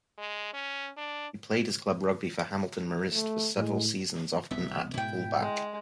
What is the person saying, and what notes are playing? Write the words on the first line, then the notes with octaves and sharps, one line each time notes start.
He played his club rugby for Hamilton Marist for several seasons, often at fullback.
G#3
C#4
D4
A3
A2 G#3
E1 C2 B3 E5
G#2 B2 E4 G5
G#3